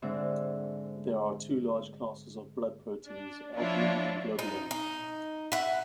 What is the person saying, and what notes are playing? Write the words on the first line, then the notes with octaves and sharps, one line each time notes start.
There are two large classes of blood proteins: albumin and globulin.
G#2 D3 C4 E5
D4
F3 D4 E4 F4 C#5
D#4
D#4
E5 F#5